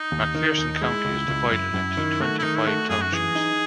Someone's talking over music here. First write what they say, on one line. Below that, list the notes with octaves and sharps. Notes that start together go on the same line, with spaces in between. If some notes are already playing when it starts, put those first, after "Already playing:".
McPherson County is divided into twenty-five townships.
Already playing: D#4
D#2
D#3
D#2
G#3 E4
C#2
C#2
F#2
F#2
D#3
A3 F#4
E4
D#3 D#4
E4
A3 F#4
F#2 G#4
F#4
E3 G#4
D#4